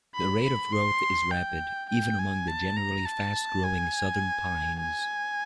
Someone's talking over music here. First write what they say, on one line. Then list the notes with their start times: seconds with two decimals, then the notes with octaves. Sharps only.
The rate of growth is rapid, even among the generally fast-growing southern pines.
0.15 B5
0.43 B5
0.73 C6
1.31 G5
1.90 G5
2.19 G#5
2.48 A5
2.77 A#5
3.06 A5
3.64 G#5
4.81 G#5